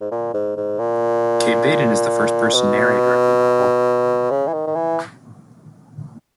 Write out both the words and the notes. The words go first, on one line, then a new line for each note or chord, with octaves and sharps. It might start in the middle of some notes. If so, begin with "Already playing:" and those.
Kate Vaiden is the first person narrator of the novel.
G#2
A#2
G#2
G#2
A#2
B2
C#3
E3
D#3
D#3
E3